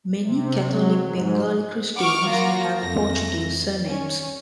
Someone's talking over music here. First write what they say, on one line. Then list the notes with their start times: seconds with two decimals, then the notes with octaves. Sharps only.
Many Catholic Bengali Christians have Portuguese surnames.
0.23 C3
0.63 F#3
1.01 G#2
1.96 F#5 C#6 D6 F6
2.26 F#3 A#3 F4 F#4 A#6
2.77 F2 A3 A#6
3.85 C#4